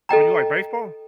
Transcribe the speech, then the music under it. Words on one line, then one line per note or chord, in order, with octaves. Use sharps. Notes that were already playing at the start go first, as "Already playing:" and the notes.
Oh, you like baseball?
A4 D#5 G5 A#5